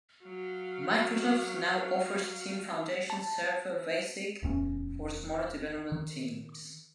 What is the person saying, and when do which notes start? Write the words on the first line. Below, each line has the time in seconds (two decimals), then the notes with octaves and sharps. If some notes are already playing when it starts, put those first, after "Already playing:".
Microsoft now offers Team Foundation Server Basic for smaller development teams.
0.24 F#3 F5
3.10 A5
4.43 D1 E2 C4 C#4
5.92 D#3